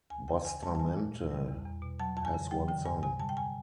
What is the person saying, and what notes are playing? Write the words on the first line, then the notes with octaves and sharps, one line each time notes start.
Bustamante has one son.
D2 G#5
C#3 G5
D2 G#5
G3 A5
A5
G3 G#5
A#2
A#2
G3
E2
E2
B2
F#3 A5
F2 A5
G#5
C#3
F#3 G5
D3 G5
G2 G#5
C3 G#5
G3 A5
G5
G#5